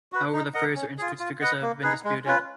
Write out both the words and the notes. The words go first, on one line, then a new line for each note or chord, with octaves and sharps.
However, the Fraser Institute's figures have been disputed.
F#4 B4
D#4
A#4 D#5 F#5
C#4
F4 G#4
F4
B4 D#5 F#5
A#3
D#4 G#4 B4
G#3
C#4 F4 B4